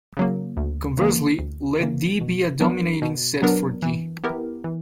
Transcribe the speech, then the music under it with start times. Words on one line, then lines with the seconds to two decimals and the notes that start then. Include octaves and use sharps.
Conversely, let "D" be a dominating set for "G".
0.17 C#3 F#3 A#3
0.57 D2
0.98 C#3 E3 A#3
1.39 D2
1.80 C#3 E3 A#3
2.21 B2
2.60 F#3 B3 D4 A#4
3.02 B2
3.42 F#3 B3 D4 A#4
3.82 E3
4.24 B3 E4 G4 A#4
4.64 E3